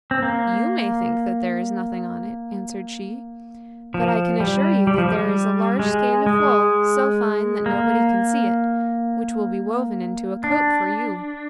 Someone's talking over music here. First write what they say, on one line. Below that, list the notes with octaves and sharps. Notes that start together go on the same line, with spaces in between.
'YOU may think that there is nothing on it,' answered she, 'but I can assure you that there is a large skein of wool, so fine that nobody can see it, which will be woven into a coat for you.'
C4
A#3
F3
G3
G3
F3
G3
G#3
G#3
A#3
D4